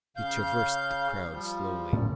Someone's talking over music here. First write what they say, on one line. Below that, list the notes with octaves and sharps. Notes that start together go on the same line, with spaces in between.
He traversed the crowd slowly.
C#3 F5 G6
F3 G3
A2 A3 C#4